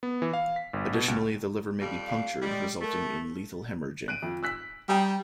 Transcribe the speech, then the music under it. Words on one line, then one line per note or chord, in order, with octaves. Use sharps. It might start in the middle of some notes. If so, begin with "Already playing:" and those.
Additionally, the liver may be punctured, resulting in lethal hemorrhaging.
B3
E3
F5
B6
G1
B2
C#2
F2 G3
F5
G3 G#3
A3 A#4
F#6 D7 D#7
F2
E6 F#6 B6
G3 G5 A#5 D#6